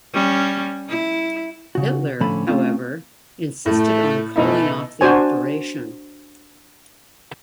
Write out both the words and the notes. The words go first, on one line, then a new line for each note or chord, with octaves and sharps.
Hitler, however, insisted on calling off the operation.
G3 C#4
E4
C#3 F#4
A2 D3 F3 C#4 A4 B5
A3 C4 C#4 F4
A2 A3
B2 E3 A3 D#4 E4
D4 F#4 C5 G#5